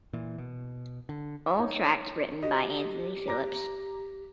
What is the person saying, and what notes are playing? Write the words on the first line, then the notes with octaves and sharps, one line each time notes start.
All tracks written by Anthony Phillips.
A#2 E3
B2
D3
D#4 C#5
F#4 G4 D#5
A#5 D6 A#6